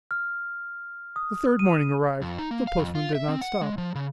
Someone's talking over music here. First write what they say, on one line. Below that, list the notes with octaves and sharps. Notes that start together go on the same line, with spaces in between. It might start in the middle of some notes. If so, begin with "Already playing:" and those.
The third morning arrived; the postman did not stop.
F6
D#6
D#7
F2
D#4
A#3
F5
F2
F4
E5
C4
F#5
G#3
F3
C#3